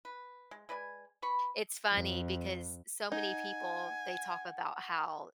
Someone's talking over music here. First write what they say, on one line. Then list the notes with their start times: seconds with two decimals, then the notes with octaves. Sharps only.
it's funny because so many people, they talk about how
0.05 B4
0.51 G#3
0.69 G#3 B4 D5 G#5
1.22 B4 B5 C#6
1.92 F2
3.12 D#4 F#5 G#5